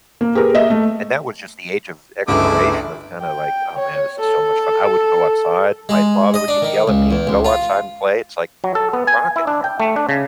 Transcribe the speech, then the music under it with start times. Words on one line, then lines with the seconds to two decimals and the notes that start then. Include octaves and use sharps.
and that was just the age of exploration of kinda like, "Oh man, this is so much fun." I wouldn't go outside, my father would get yell at me, "Go outside and play." it's like, "I'm I'm rocking here, man."
0.21 A#3
0.35 G4 G#4 A#4 B4
0.54 A#3 D#5 E5
0.70 A3
2.28 G1 C#2 A3 E4 G#4 D6
3.21 G5
3.79 C#5
4.20 A4
5.89 G#3
6.34 D#5
6.48 D4
6.62 D#3
6.88 C#2
7.11 E2
7.27 C#2
7.45 F4
8.64 F#3
8.75 A4
8.93 B3
9.07 G#5
9.36 E4
9.47 D4
9.64 G5
9.80 A3
9.96 D4
10.09 C#3